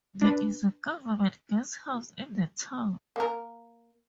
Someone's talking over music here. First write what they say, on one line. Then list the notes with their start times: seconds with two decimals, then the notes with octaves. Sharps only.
There is a government guest house in the town.
0.22 D4 B4
3.16 A#3 A#4